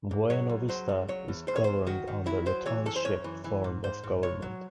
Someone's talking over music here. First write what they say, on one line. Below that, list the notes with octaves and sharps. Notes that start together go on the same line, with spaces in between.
Buena Vista is governed under the Township form of government.
G#2
F#3 C#5
C#2
F#3 C5
C#2
F#3 C#5
E2
E2 C5
C#5
E2 C5
D#3 F#4
D#3
F#3 E4
F#3 C5
E3 C#5
F#2 A4
C5
F#2 C#5
E3
E3
G#2
G#2 C5
G#2
C#2 C#5
F#3